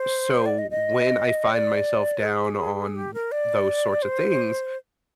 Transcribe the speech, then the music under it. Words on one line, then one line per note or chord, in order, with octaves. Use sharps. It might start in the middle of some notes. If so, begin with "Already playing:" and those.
so when I find myself down on those sorts of things,
Already playing: C5
D5
D#5
D#5
D5
G#4
G4
A#4
D5
C5